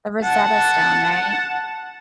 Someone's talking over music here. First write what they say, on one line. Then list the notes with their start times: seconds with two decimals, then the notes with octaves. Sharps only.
the Rosetta Stone, right?
0.23 F#5 A5